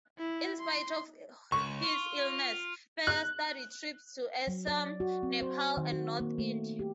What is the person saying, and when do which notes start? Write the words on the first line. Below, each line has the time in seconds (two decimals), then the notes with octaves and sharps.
In spite of his illness, further study trips to Assam, Nepal and North-India.
0.18 E4
0.60 C6
1.52 C#2 C#6
1.83 F4
3.07 F#6
4.47 F#3
4.67 D5
5.00 F#4
5.23 C4
5.41 C5
5.77 D#3
5.92 F#4
6.20 A#3
6.38 A3
6.79 G4